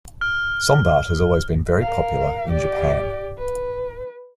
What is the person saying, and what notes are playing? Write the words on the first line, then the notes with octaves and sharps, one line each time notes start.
Sombart has always been very popular in Japan.
F6
A#4 F5
G4 D5
B4